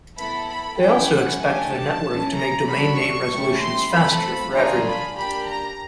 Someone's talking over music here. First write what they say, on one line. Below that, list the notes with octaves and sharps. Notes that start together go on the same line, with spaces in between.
They also expect their network to make domain name resolutions faster for everyone.
B3 E4 A4 B5
B5
C#4 E4 G#4 G5
F#5
A3 D4 G4 G#5
A5
C#4 E4 G#4
A#5
D4 F#4 A4 B5
C#6
A3 C#4 E4 G4
C6
A3 C4 F4 A4 B5
D4 F4 G#4 A#5
B5
A#3 D4 G4 B5
A#5